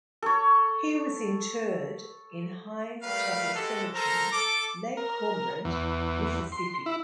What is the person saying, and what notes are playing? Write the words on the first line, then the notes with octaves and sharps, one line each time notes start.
He was interred in Hinds Chapel Cemetery, Lake Cormorant, Mississippi.
A4 C#5
G3 A3 A#4 B4 F5
G#3 F#4 G4 A4
A4 A#4 C5 A#5
A4 D6
A#4
E2
C6
E4